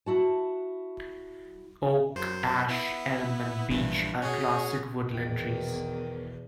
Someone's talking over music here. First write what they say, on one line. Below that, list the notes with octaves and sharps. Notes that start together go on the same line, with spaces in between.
Oak, ash, elm and beech are classic woodland trees.
E4 F#4 A5
F#2 C5
B3 E4
A#1 G2 E3
C#4 F#4 G#4
E2 B2 D#3